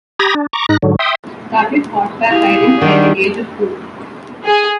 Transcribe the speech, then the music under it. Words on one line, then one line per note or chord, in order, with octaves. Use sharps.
She started horseback riding at the age of two.
G4 A#5 B5 D#6 G#6 A#6
D4
A#5 C#6 D6
G#2 D#4 F#6 A#6
G#2 D3 F#3
E5 G5 C6 D#6
E4 G4 G#4 F5 F7
D#3 G3 D4 F#5
G#4